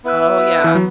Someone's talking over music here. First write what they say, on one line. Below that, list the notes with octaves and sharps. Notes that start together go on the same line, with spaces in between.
Oh, yeah.
B3 E4 B4 E5
E3
F#3 B3